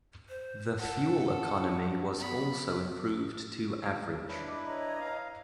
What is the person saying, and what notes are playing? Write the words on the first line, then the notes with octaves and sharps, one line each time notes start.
The fuel economy was also improved to average.
C5
A4 F#5
B3 B5
D4 E4 B4 C#5
D#5 D6
C#5 D#5 A#5
F5